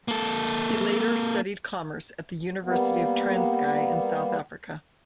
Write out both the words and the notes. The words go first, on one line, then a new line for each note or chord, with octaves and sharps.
He later studied commerce at the University of Transkei in South Africa.
A#3 A4
G3 A#3 B3